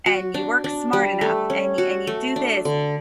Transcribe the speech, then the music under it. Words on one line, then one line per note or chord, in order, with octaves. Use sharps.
and you work smart enough and y and you do this,
F#4
D4
D4
G3
A3
C#4
F#4
A3
D4
D3